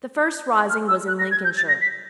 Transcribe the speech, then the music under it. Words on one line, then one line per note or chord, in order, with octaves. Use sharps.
The first rising was in Lincolnshire.
F6
E6
F#6
A#6
G#6
G6
A6
A#6
B6